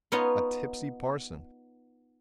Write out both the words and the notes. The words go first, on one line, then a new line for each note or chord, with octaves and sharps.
"A tipsy parson."
B3 D#4 F4 C#5 D#5